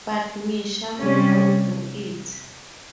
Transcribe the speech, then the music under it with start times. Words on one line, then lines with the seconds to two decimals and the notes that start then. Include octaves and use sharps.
But Misha will not do it.
0.99 C3 G3 C#4